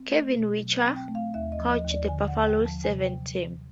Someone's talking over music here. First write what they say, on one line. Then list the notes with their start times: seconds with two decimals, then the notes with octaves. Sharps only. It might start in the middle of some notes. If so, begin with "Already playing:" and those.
Kevin Whitcher coaches the Buffaloes sevens team.
Already playing: C4
0.09 A3
0.34 B2
0.59 F#3
0.78 G5
0.84 C4
0.96 G5
1.08 A3
1.15 F5
1.34 D#2 E5
1.52 D#5
1.59 F3
1.71 D#5
1.84 D#2
1.91 D5
2.08 D3 G#5
2.28 F#5
2.34 D#2
2.47 G5
2.59 F3
2.65 A5
2.84 C3 G#5
3.03 G5
3.09 F#3